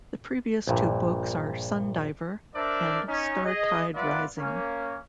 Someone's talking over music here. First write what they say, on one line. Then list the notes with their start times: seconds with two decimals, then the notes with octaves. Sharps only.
The previous two books are "Sundiver" and "Startide Rising".
0.67 A#1 G2 A#2
2.55 D4 A#4 C5 D5 E5
3.07 C#4 D#4
3.44 G#4 D#5
3.93 F4 B4 D5 E5 F#5
4.38 A#3 C#4